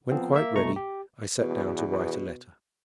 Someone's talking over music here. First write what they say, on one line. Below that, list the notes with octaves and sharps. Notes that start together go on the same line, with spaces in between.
When quite ready, I sat down to write a letter.
F3 B3 C4
A#3 E5
C2 B2 A3 A#5 C#6
G4
E2 B2